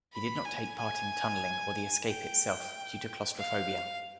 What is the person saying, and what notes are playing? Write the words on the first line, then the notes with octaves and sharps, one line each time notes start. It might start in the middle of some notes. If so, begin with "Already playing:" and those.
He did not take part in tunnelling or the escape itself, due to claustrophobia.
B5
G#5
G#5
G5
F5